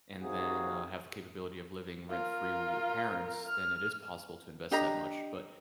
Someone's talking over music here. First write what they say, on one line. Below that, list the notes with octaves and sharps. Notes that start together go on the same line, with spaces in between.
and then, uh, have the capability of living rent-free with your parents, then it is possible to invest that much, but
D#2 C3 A#3 F#4 G#4
F4 A#4
F6
D4 G4 D#5 A#5